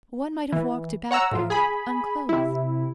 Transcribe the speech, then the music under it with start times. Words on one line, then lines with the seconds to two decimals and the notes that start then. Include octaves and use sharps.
One might have walked about there, unclothed.
0.52 E3
1.11 C#5 F#5 A#5 E6
1.31 A2 F3 F4
1.50 G#4 G#5 B5
2.29 C3 E4